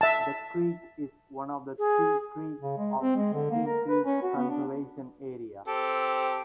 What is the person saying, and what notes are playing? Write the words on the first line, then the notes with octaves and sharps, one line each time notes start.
The creek is one of the "three creeks" of Three Creeks Conservation Area.
E5 A5
G#4
C#3
G#3
C4
G#3
D3
A#3
A#4
B4
C#4
F#4
B3
D4
C4 G4 A4